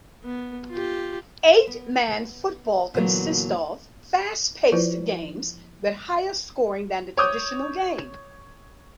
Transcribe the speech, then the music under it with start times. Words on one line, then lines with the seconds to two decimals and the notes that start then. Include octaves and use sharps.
Eight-man football consists of fast-paced games with higher scoring than the traditional game.
0.24 B3
0.70 F4 G4
1.67 B3
2.94 A#2 D3 E3 F#3 A#3 B3
4.72 F3 E4 F4 B4 C5 D5
7.17 C#5 D6 D#6 G6